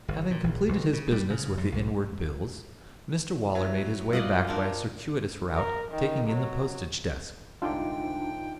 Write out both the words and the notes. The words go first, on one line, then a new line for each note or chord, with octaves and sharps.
Having completed his business with the Inward Bills, Mr Waller made his way back by a circuitous route, taking in the Postage desk.
G1
A#2
A#1
B1
C#3
G3
C#3
F#2
B1
F#3 E4 E5
G3 F4 D5 D#5 F#5
C4 D4 A#4
A#4
D#3
F#3
C2 G#2 D3 D4 D#4 F4 G5